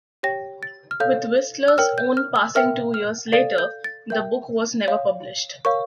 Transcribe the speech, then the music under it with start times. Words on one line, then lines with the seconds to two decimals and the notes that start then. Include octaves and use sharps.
With Whistler's own passing two years later, the book was never published.
0.23 G4 C#5 G5 A#6
0.63 A6
0.91 F6
1.00 A4 C#5 F5 G6
1.68 E6
1.78 A#4 C#5 G5 F6
1.98 G6
2.17 F6
2.36 E6
2.55 A#4 E5 G5 F6
2.94 F6
3.33 A4 D5 F5 A6
3.58 G6
3.84 A6
4.10 A#4 E5 G5 G6
4.88 C#5 F5
5.65 A#4 C#5 F5 C#6